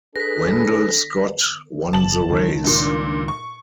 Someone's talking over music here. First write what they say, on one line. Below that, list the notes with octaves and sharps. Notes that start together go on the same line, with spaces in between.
Wendell Scott won the race.
D4 G#4 A4 B4 A#6 B6
F#1 A5 F#7
C#2 D#3
G2 A#2
C#6